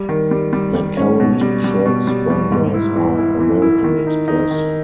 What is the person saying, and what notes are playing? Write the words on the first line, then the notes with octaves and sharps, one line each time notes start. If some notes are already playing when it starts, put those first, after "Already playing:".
Their current shirt sponsors are American Express.
Already playing: G3
D#3
G3
G3
G3
C#4
B2
G3
G3
B2
G3
G3
G#2
E4
E3
E4
E3
E4
D#3
D#4
D#4
D#3